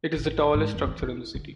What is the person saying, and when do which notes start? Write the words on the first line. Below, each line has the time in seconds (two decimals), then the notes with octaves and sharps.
It is the tallest structure in the city.
0.16 A1
0.54 G#2
0.74 F2
0.87 D#3
1.02 E4
1.35 D3